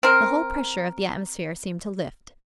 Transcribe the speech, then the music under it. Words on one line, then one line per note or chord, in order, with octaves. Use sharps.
The whole pressure of the atmosphere seemed to lift.
C4 A#4